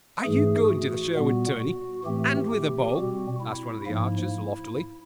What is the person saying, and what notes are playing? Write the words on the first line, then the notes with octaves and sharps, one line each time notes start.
"Are you going to the Sherwood tourney, and with a bow?" asked one of the archers, loftily.
G#2 E3 A3 G#4
F#4
A#2 G3 B3
F#4
A2 E3 A3 C4 G4
G4
B2 G3 C4 F#4
E4
G#2 F3 A#3 E4